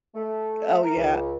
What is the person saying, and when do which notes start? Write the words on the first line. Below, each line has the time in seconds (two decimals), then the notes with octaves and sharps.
Oh, yeah.
0.15 A3
0.83 A#4
0.96 C#2